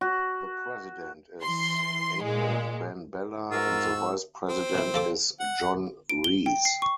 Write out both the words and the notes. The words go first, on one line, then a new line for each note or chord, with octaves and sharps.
The President is Ahmed Ben Bella and the Vice-President is John Rees.
F#4
E3 C6
A#2 G#3
G#2 F4 F#4 A#4 E6
C4
B2 E4
F3 A4 D6
F#5
D7
G7
G5
C7
C#6